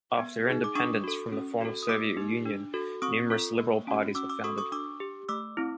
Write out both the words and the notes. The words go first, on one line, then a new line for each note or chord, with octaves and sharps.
After independence from the former Soviet Union numerous liberal parties were founded.
B3
D#4 G#4
D6
D4 C#6 D#6
F#4 A4
C#4
F#4 A4
D#6
A#3 D6 E6
D#4 G4
D4
F#4 A4
C4 C#6 D#6
F4 A4
A#3
C#4 F#4
C#4 D6 E6
D6 E6
F#4 A4 C#6 D#6
C#6 D#6
D4 D6 E6
G4
A3 D6 E6
C4 E4